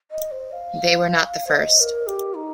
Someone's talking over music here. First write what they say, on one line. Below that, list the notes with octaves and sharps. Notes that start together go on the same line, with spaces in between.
They were not the first.
D#5
C5
F5
C5
D#5
A#4
G4
D#4